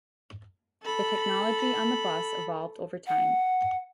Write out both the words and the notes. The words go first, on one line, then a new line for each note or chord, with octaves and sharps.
The technology on the bus evolved over time.
A4 B5
F#5